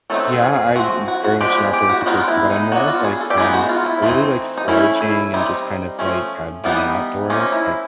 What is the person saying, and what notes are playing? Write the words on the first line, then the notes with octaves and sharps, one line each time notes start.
Yeah, I'm m very much an outdoorsy person, but I'm more of, like, um I really like foraging and just kind of, like, uh, being outdoors, like,
F#3 A3 C4 D#4 A4
G#4
F3 A3 C4 F#4
F#4
F#4
F3 G#3 B3 D4 G4
G#4
G4
F#4
F#4
D#3 G#3 B3 D#4 F4
E4
D#4
F#3 B3 D4 F#4
F4
G#4
A4
G4
G#3 B3 D#4 G#4
F#4
F4
E4
E3 A3 C4 D#4 F4
D#4
E3 A3 C#4 E4
E4
G3 C4 D#4 E4
F3 A3 C#4
E3 G3 B3 D#4
F3 A#3 C#4 D#4
E4